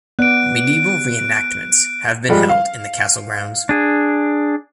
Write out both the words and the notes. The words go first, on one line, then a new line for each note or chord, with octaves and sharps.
Medieval reenactments have been held in the castle grounds.
B3 D5 F#6 D7
F3 G3 G#3
F5
D4 G#4